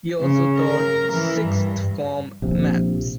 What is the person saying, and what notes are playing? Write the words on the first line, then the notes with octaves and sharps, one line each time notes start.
He also taught sixth-form maths.
C#3
A#4
E3
G2
A#1 C3